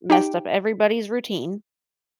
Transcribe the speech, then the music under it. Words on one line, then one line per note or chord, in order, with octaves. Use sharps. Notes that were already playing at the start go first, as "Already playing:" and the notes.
messed up everybody's routine.
D#4 G4 G5